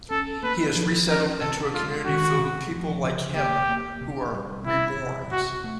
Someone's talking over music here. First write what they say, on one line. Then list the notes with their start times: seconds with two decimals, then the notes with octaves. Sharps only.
He is resettled into a community filled with people like him who are "reborns".
0.10 C#4 A4
0.43 A#3 B4
0.76 F3
1.08 C#4 A#4
1.41 C3 A4
1.73 G#3 F4
2.06 D#3 F#4
2.39 C3
2.71 F3
3.04 C#3
3.36 A#3 G4
3.69 A#3
4.01 C3
4.34 G3
4.66 C3 E4
4.99 C3
5.32 C3 F#4
5.64 A3